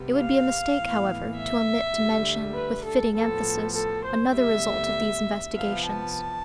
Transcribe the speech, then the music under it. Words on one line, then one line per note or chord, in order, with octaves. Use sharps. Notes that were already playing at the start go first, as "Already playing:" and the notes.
It would be a mistake, however, to omit to mention, with fitting emphasis, another result of these investigations.
Already playing: C3 G3 B3
F5
A2 E3 B3
E5
D2 D3 G3
B4
A4
A2 F3 B3 A4
A4
C5
D2 D3 G3 B3 E5
C3 F3 B3 F5
A5